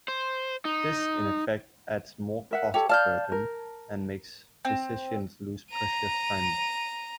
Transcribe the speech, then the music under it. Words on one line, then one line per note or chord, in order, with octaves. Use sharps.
This in effect adds more cost burden and makes physicians lose precious time.
C5
D#4
A#4 E5 F#5
G4 A4 C#5
D5 F5 A5 F6 G6
A#4
C4
A#5 D#7